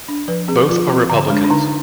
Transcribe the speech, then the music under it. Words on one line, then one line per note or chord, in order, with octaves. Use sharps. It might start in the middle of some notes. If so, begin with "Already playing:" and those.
Both are Republicans.
D4
F3 B4
C4 G#4
F3 F4
C4
D3
G#3 D4
D4
D3 D#4